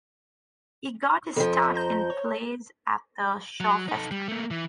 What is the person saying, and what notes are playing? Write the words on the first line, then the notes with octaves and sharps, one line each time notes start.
He got his start in plays at the Shaw Festival.
F2 F3 A4
C5 A#5 G6
C#5
F#3
D#4 A4
G3
A3 A#3
E3